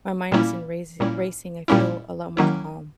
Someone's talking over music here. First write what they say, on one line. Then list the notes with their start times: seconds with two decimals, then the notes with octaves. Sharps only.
my mind isn't raci racing, I feel a lot more calm.
0.32 A#2 G3 A#3 C#4 E4
1.00 A#2 G3 A#3 C#4 E4
1.68 A#2 G3 A#3 C#4 E4
2.37 D#3 F#3 A#3 C#4 E4